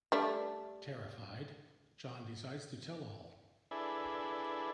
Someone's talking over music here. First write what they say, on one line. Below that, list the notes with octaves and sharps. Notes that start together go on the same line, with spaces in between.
Terrified, John decides to tell all.
G3 A3 D4
D4 E4 G#4 A4 B4